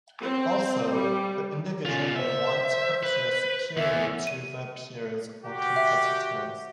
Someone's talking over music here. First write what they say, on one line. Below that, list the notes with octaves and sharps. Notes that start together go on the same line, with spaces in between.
Also, the individual may want to appear superior to their peers or competitors.
C4
G3
B2 C#4 F4
C5 E5
B4
E2 E5
D#7
F#4 G4
E5